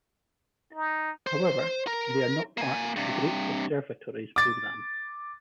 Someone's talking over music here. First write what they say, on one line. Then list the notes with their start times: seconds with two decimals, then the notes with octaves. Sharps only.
However, they are not a part of the Great Observatories program.
0.74 D#4
1.27 C5
1.87 A#4
2.58 A#3 G#5
2.96 G2 C3
4.36 D6 A6